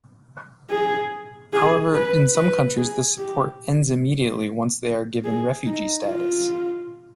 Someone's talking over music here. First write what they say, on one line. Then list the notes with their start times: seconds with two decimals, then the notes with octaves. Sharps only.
However, in some countries this support ends immediately once they are given refugee status.
0.71 G#4
1.53 G#4
1.94 B4
2.36 B4
2.77 G#4
3.18 G4
5.25 G#4
5.65 D#4
6.07 F4